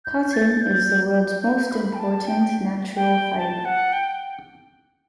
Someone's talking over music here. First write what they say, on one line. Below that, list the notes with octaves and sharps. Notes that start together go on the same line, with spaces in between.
Cotton is the world's most important natural fibre.
G6
A6
G6
B5
G5
A5
G5
G5
A5
F#5
G5